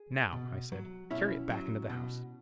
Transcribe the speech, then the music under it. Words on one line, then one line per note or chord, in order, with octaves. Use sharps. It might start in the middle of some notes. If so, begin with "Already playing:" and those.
"Now," I said, "carry it back into the house."
Already playing: G#4
B2
F#3
B2 C#4 E4
F#3
B2